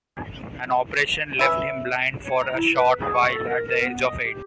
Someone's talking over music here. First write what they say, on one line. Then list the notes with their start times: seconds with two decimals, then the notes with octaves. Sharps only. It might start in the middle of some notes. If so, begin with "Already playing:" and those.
An operation left him blind for a short while at the age of eight.
1.39 C#4 B4 E5
2.25 C#5
2.40 A#5
2.53 E4
2.74 B4
3.00 G#4
3.14 C#6
3.32 A4
3.46 A#4
3.67 A#4
3.82 B3
4.03 D#5
4.25 G4